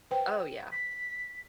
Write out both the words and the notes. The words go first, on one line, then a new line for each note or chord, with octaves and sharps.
Oh, yeah.
B4 C5 G5
B6